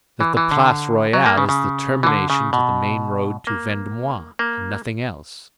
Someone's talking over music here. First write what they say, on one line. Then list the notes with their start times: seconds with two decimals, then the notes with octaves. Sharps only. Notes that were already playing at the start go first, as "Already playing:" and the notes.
"That the Place Royale is the termination to the main road to Vendomois, and nothing else."
0.21 E3
0.37 E3
0.51 D3
1.13 F#3
1.26 A#3
1.38 C#3
1.49 C#3
2.03 E3
2.07 D3
2.30 C#3
2.53 B2
3.47 A#3
4.39 A#3